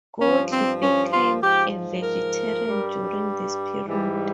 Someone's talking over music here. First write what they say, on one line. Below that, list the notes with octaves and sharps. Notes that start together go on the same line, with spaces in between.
Godley became a vegetarian during this period.
G2 F3 C#4
C4
C#4
F4
G#2 F3 G4
A#4
G2 G3
G#2 E3 G3